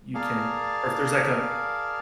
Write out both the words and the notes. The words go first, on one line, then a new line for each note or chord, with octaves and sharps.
you can, or if there's like a
G#4 A#4 D5 F5 A5